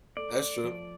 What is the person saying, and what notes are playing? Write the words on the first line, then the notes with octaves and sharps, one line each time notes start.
That's true.
A3 D5
F3